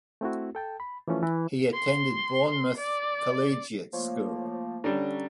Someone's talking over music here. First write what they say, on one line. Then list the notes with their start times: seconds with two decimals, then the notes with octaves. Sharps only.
He attended Bournemouth Collegiate School.
0.21 A3 C4 E4 F#4
0.55 A4 G5 A5
0.80 B5
1.08 E3 F3 A3 C#4 F4
1.23 E3
1.74 C6
2.77 D5
3.93 F3 A3 A#3 C5 C#5
4.84 D3 G3 C#4 C#5 A#5